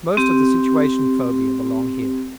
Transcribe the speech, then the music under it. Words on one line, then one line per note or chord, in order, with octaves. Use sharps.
Most of the situation-phobia belong here.
C4 G4